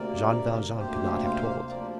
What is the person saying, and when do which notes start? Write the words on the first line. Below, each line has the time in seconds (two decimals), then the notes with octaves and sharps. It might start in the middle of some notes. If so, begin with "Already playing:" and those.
Jean Valjean could not have told.
Already playing: D2 C3 A#3 A#4 D5
0.78 D2 C3 A#3 G4 C5
1.24 C5 F5
1.70 D2 C3 F3 A#3 A#4 D5